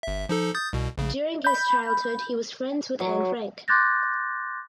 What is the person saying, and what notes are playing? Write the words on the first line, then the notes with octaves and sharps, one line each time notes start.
During his childhood he was friends with Anne Frank.
G1 E5
F3 D#4 A4
D#6 G6 A6
C2 B2
A#1 C#3
B5 G6
F#3
C6 D6 F#6 G6 A6 A#6